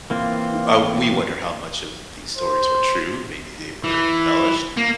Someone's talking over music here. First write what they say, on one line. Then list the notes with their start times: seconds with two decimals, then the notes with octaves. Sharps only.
uh we wonder how much of these stories are true, maybe they were embellished,
0.10 E3 A#3 C4 F4
2.37 C5
3.84 E3
4.77 A#3